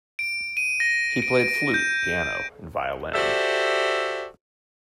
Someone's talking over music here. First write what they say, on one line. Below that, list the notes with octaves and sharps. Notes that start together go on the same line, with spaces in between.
He played flute, piano, and violin.
D7
D#7
A#6
D7
D7
G6
F#4 G4 A4 C5 D5 E5